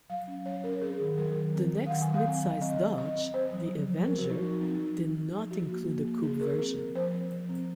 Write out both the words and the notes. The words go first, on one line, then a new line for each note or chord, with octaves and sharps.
The next midsize Dodge, the Avenger, did not include a coupe version.
F#3 F5
C#4
F#3 C#5
C#4 A#4
C4 G#4
D#3
F#3 A#4
D#3
C4
F#3
F5
D#3 F#5
G#5
F#3
F5
C4
F#3
C4 D#5
C4
C4 D#5
C4
C4 C5
F#3
F3
F3
C4 A#4
F#4
F3
D#4
F3 D#4
C4 D#4
F3
F3
F3
F3
F3 F#4
A#3
A#3
A#3
A#3 G#4
F3 A#4
C4
C4
F3 C5
C4
F3
C4